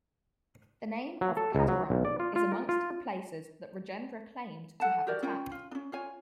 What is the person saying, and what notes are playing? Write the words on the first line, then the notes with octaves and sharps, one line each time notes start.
The name of "Kadaram" is amongst the places that Rajendra claimed to have attacked.
F#3
A4
C#2
F#3
B1
D5
F4
F4
A#4
F4
A4 F#5 A5
F#4 G4 A#4 D5
C#4 F4 G5
F4
C#4 D4
F4 C#5 G#5